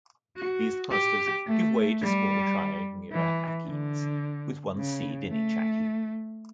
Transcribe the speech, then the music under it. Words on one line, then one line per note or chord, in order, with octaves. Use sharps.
These clusters give way to small triangular achenes, with one seed in each achene.
F#4
G4
A3
G3
E3
D3
C#3
A3